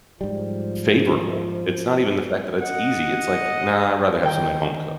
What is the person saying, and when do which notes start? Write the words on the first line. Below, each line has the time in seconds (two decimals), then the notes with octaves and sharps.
favorable. It's not even the fact that it's easy. It's like, "Nah, I'd rather have something home cooked."
0.21 G#2 F3 G3
2.62 D#5 F#5
4.23 D#3 G5